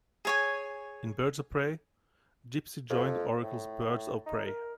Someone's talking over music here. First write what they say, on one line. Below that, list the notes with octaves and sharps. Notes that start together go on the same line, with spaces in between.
In "Birds of Prey", Gypsy joined Oracle's Birds of Prey.
G#4 C#5 G#5
F2
A2
D#4
A#4